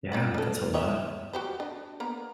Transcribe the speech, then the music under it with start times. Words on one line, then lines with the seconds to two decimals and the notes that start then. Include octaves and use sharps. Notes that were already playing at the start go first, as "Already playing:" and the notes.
Yeah, that's a lot.
0.12 C4 F4 F#5
0.34 D4 A4
0.74 C#5 D#5 E5
1.33 F#4 G4 C5
1.60 D4
2.00 A#3 B3 A#5